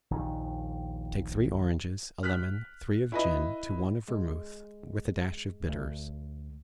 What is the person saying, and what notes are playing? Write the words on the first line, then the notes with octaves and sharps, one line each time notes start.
Take three oranges, a lemon, three of gin, to one of vermouth, with a dash of bitters.
A#1 D#2 D#3
F6 F#6 B6
E4 B4 D#5
G#3
D2